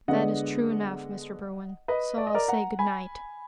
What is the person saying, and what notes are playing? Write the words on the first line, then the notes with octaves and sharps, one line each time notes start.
"That is true enough, Mr. Berwin, so I'll say good-night!"
D3 G#3 B3 D4 D#5 F#5
B4 D#5
D5
D#5
A#4 D5
F#5 A#5
G#5 B5